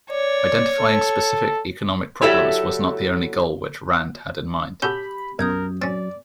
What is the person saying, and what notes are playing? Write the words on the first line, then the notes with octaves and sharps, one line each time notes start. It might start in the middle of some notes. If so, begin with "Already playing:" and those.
Identifying specific economic problems was not the only goal which Rand had in mind.
C#5 D5
A4
F#3 E4 G4 A4 D5 E5
C#4 F#4 G4 A4 B5 G6 G7
B1 F#2 A#4 D#6 G6 G#6
F#2 C4 C#4 D5 A6